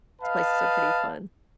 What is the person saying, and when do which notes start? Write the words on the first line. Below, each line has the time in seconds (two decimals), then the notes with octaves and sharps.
places are pretty fun.
0.22 B4 D#5 F5 A5